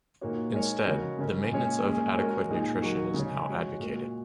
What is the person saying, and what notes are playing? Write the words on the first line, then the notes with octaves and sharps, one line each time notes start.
Instead, the maintenance of adequate nutrition is now advocated.
A#2 A#3 D#4 F#4 C#5
G#3 D#4 A#4 C#5
C#3 G#3 F#4 A#4 C#5
C#3 G#3 C#4 A#4
A#2 G#3 C#4 G#4 C#5
A#2 G#3 C#4 G#4
G#3 F#4 A#4 C#5
A#2 G#3 D#4 G#4
A#2 F#3 A#3 D#4 F#4
C#3 G#3 C#4 G#4 C#5
G#3 F#4 C#5
A#2 G#3 F#4 A#4